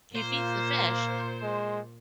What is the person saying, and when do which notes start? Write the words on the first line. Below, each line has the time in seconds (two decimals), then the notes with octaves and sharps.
He feeds the fish,
0.16 A#2 A#3 F4 C5
1.43 G#3